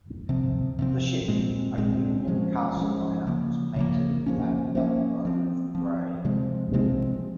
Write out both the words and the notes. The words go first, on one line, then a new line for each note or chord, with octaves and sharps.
The ship, a Union-Castle liner, was painted lavender mauve grey.
C3 F3 C4
C3 F3 C4
A#2 G#3 C4
A#2 G#3 C4
F3 G#3 C#4
F3 G#3 C#4
C#3 F3 A#3
C#3 F3 A#3
F3 A#3 C#4
F3 A#3 C#4
F3 C4
F3 C4
C3 F3 G#3 C4
C3 F3 G#3 C4